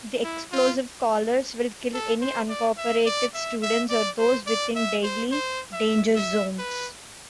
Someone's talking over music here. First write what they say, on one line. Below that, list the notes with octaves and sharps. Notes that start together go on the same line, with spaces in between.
The explosive collars will kill any uncooperative students or those within daily "danger zones".
E4
F4
A4
C5
D5
E5
D5
E5
E5
D5
C5
D5
E5
C5
C5
E5
E5
B4